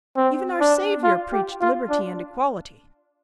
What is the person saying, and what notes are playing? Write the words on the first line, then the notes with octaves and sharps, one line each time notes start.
Even our Saviour preached liberty and equality.
C4
D4
F4
G4
F4
D4